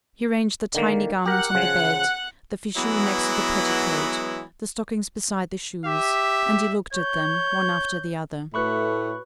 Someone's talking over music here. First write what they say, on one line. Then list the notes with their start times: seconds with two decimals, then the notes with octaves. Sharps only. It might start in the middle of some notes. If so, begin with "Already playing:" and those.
He arranged the tiny garments on the bed, the fichu next to the petticoat, the stockings beside the shoes, and he looked at them, one after the other.
0.74 D3 D#3 A#3
1.26 G4 A#4 F#5 F#6
1.55 C#3 F3
2.76 E3 F#3 G#3 B3 E4
5.86 G4 E5
6.94 C#5 G6
8.54 A2 A3 F#4 B4 C#5 B5 C#6 F#6